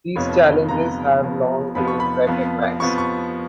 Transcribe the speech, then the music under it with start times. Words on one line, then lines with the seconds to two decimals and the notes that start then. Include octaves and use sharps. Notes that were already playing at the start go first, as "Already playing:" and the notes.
These challenges have long been recognized.
0.16 F1 F2 F3 B3 C#5
0.68 F1 F2 F3 B3 A#5
1.21 F1 F2 F3 B3
1.75 F1 F2 F3 B3 B5
1.88 C#6
2.00 B5
2.27 F2 F3 B3
2.80 F2 F3 B3 C#6
2.98 C#6